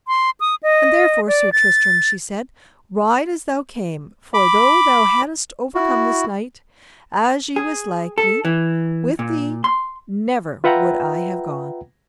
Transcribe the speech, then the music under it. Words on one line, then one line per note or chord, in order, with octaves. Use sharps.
And therefore, Sir Tristram, she said, ride as thou came, for though thou haddest overcome this knight, as ye was likely, with thee never would I have gone.
C6
D#6
D#5
D5
A6
B5 D6
E4 F#4
G#4
A4
E3
A#2
C6
F4 B4 E5 F#5 G5 A#5